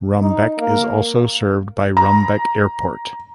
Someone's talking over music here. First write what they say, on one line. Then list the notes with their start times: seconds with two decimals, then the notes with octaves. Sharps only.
Rumbek is also served by Rumbek Airport.
0.22 D#4
0.59 A#3
1.97 A#5